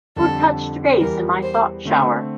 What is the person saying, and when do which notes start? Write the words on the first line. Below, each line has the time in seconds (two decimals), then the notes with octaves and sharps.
Who Touched Base In My Thought Shower?
0.16 F2 D3 G3 A4
1.00 E2 E3 G3 A#4
1.43 C5
1.85 D3 A3 C4